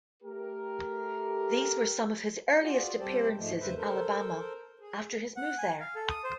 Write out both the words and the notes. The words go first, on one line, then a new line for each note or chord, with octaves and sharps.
These were some of his earliest appearances in Alabama after his move there.
A3 G4 A#4
F4 F#4 G#4 D5
C3 G3 G4 A4 C5 D5
G#2 F3 G#3 A3
E2 G2 C#3 B4 C5 E5
A4 A#4 C5
G#4
F#5
G#5
F5
A4
D#6
C5